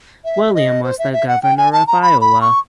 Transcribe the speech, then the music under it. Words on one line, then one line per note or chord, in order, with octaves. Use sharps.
William was the Governor of Iowa.
E5
D#5
C5
E5
E5
F#5
G5
G#5
A5
A#5
B5
B5
C#6